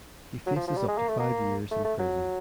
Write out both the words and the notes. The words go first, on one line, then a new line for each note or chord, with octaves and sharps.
He faces up to five years in prison.
F#3
F3
F3
G3
G#3
A#3
A3
A#3
A3
A3
F#3